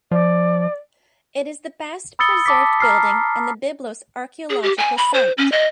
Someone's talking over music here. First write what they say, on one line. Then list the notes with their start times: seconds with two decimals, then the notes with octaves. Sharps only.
It is the best preserved building in the Byblos archaeological site.
0.11 F3 D5
2.19 B5 D#6 E6 A6 C#7 G7
2.46 A5 D6 B6
2.80 A#5 F6 C7
4.50 G#4
4.63 G4
4.78 G#5
4.97 B5
5.14 C5
5.38 C#4
5.52 D#5